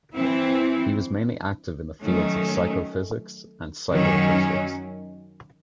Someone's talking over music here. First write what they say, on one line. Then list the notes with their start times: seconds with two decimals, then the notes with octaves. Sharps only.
He was mainly active in the fields of psychophysics and psychoacoustics.
0.14 E3 C4 E4
2.03 D#3 F#3 A3 C#4
3.91 F#2 D#3 F#3 C#4